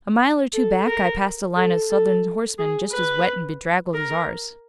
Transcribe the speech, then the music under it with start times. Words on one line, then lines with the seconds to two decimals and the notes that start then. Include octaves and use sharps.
"A mile or two back I passed a line of Southern horsemen, just as wet and bedraggled as ours."
0.53 A4
0.87 A#4
1.56 A4
1.89 A4
2.58 G#4
2.92 B4
3.94 A#4